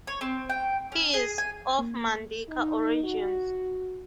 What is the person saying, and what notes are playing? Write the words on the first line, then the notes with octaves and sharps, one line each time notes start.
He is of Mandinka origins.
C#5
C4
G5
C#4
G#4
G#5
A#3
D#4
F#4